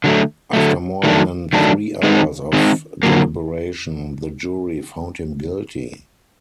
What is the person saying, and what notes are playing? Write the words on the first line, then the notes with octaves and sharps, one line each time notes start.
After more than three hours of deliberation the jury found him guilty.
D3 F#3 A3
D3 F#3 A3
D#3 F#3 A3 D4
D#3 F#3 A3 D4
D#3 G#3 C4 D#4
D#3 G#3 C4 D#4
D3 F#3 A#3